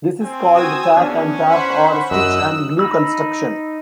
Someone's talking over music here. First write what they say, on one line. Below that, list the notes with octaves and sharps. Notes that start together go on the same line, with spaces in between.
This is called tack and tape or stitch and glue construction.
C4 G#5
F#4 D#6 E6 G#6
E2 C#4 D4
C5 F#5 B5 C#6
F#2 D#5 E6 F#6
D#4 B5 E6